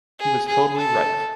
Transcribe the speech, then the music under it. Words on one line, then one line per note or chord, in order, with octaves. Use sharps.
He was totally right.
G#4
G#4
A4